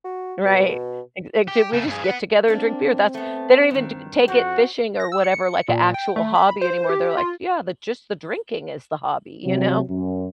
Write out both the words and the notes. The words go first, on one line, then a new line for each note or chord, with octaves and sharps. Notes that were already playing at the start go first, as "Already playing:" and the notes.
Right, "Ac act we just get together and drink beer, that's" they don't even t take it fishing or whatever, like, a actual hobby anymore, they're like, "Yeah, the just the drinking is the hobby." You know?
F#4
B2
G4
C#3 A3
G2 G#4
B4 F#5
A#3 C4 D4
A3 B3
G2 D#3
F2 C4 F#4
A#6
E6
C#7
A#2
G5
A3
B5
C5
G4
F4
C3 F#3
F#2